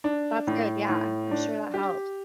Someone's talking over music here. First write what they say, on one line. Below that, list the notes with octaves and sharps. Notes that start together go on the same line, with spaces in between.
that's good, yeah, I'm sure that helps.
D4
A2
A2
D4
G4